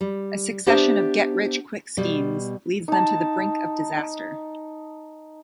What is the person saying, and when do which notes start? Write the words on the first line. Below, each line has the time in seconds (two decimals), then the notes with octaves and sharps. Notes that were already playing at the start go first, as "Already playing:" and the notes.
A succession of get-rich-quick schemes leads them to the brink of disaster.
0.01 G3
0.66 B3 D4 G4 C5 E5 A5
1.97 B2 G3
2.88 D#4 A5